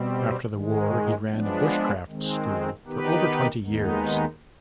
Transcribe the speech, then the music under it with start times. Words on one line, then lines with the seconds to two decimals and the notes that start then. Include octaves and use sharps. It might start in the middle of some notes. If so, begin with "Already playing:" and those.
After the war he ran a bushcraft school for over twenty years.
Already playing: B2 G3 C4
0.52 G#2 D#3 G#3
1.30 F3 G#3 B3 D4
2.07 D#3 G#3 C4
2.85 D#3 B3 D#4 G4 B4
3.62 D#2 D#3 G#3 B3 D#4